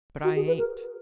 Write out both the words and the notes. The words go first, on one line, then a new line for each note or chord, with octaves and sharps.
"But I ain't."
F#4
G#4
B4
A#4